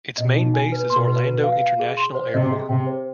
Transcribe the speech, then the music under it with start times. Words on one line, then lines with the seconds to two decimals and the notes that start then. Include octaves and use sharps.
Its main base is Orlando International Airport.
0.18 B2 D#5
0.36 D#4
0.54 G#5
0.72 B4
0.90 B2 C6
1.07 B4
1.26 B4
1.43 F5
1.62 F5
1.80 G#4
1.97 C6
2.15 C5
2.34 C3 D#5
2.51 G#4
2.69 C3 G5
2.87 C5